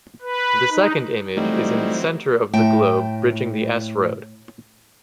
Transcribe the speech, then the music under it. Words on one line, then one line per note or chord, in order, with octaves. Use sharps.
The second image is in the centre of the globe bridging the "S" road.
B4
D#4
E3 F#3 G3 A3 C4 D#4
A2 G5 A5